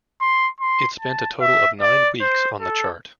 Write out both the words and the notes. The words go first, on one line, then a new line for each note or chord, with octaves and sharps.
It spent a total of nine weeks on the chart.
C6
C6
A5
E5
D5
C5
A4